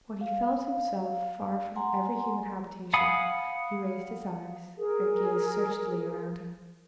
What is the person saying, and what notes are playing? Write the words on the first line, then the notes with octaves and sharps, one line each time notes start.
When he felt himself far from every human habitation, he raised his eyes and gazed searchingly about him.
F5
F#5 G#5 A#5 C6
F5 F#5 G#5 B5 D#6
G#4 A#4